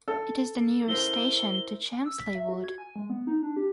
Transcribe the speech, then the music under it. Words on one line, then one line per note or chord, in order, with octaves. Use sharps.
It is the nearest station to Chelmsley Wood.
A4
E4 A#4 C5 G7
E6
B6
E5
F#4
G#6
G#5
G#3
B3
D#4
D4
G4